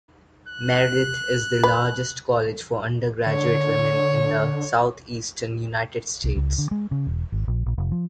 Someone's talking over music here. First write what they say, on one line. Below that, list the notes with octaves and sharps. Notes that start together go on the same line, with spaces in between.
Meredith is the largest college for undergraduate women in the southeastern United States.
F#6
B4
D3 C#5
C2
C#2
D3
G#3
C#3
E1
G#1
A#1
A#1
F1
F3